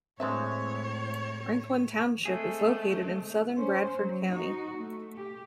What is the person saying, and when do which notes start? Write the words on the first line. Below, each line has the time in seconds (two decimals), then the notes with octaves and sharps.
Franklin Township is located in southern Bradford County.
0.20 A2 G#3 C4 D4 B4 C#5 E5
2.25 G#3 A3 C4 G#4
3.58 C#4 C5
3.99 F#3
4.32 D#4 F#4
4.78 A3
5.16 G4